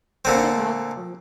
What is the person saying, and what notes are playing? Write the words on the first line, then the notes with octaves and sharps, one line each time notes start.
what about fruit?
A#2 D3 C4